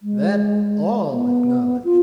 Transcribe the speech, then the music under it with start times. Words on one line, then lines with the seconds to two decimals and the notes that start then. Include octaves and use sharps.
That all acknowledge.
0.02 G#3
1.12 B3
1.84 F4